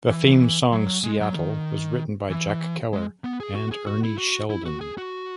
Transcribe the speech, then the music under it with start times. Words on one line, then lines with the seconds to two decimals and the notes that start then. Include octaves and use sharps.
The theme song "Seattle" was written by Jack Keller and Ernie Sheldon.
0.10 E3
0.72 F#3
1.04 G#3
1.21 F#3
1.35 D#3
2.30 E3
2.93 G#3
3.24 B3
3.40 G#4
3.55 F#4
3.72 G#4
3.87 F#4
4.03 E4
4.18 F#4
4.50 E4
4.65 F#4
4.81 G#4
4.98 F#4